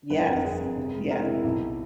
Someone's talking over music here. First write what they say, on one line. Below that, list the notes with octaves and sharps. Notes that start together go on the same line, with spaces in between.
Yes, ye
G1 B4
F2 A#4
F2 G#4
F2
C3
G#3
G#3 A#4
E4
C3
E4
B1 E4